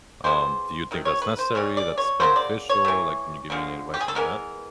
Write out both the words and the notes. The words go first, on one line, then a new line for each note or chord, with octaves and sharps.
Um, do you think that's necessary? That's beneficial? Like, can you give me any advice on that?
E3 G#3 B3 C5
C3 D#3
C#5
B4
C5
C#3 E3 G3 C#5
D5
C#5
C#3 F#3 A#3 C5
D5
C#5
E3 A3
D3 F3 G#3
G4
G#4
A4
E3 G#3 B3 A#4